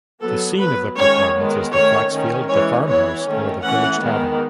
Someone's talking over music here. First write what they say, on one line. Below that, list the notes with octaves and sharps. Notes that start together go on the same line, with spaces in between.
The scene of the performance is the flaxfield, the farmhouse, or the village tavern.
F#3 B3 A4
F#3 B3 B4
D#3 G#3 C#4 C#5
D#3 G#3 B3
D#3 A3 C#4 C#5
D#3 A3 C#4
E3 G#3 C#4 C#5
E3 B3 C#5
D#3 A3 C#4
E3 A3 C#4 F#5
D#3 G#3 B3